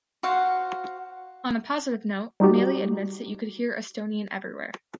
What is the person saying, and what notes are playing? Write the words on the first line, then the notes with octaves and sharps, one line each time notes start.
On a positive note Maily admits that you could hear Estonian everywhere.
F#4 C5 F5 F#5
G3 D#4 F#4 G4